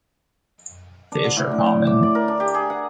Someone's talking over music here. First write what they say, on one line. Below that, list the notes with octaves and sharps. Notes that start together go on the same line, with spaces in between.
Fish are common.
D4
D3
A2
D3
A2
D6
D5
A#4
D4
G4
G#4
F#5